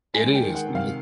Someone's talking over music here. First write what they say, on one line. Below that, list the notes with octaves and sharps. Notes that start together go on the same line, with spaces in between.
it is, and l
G#3 G#5
G5
D#3
F#5
C3
F5